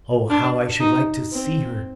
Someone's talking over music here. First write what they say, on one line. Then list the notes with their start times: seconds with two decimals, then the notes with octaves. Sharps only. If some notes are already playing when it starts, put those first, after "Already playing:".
Oh, how I should like to see her!
0.29 D4
0.81 D#4
1.32 C4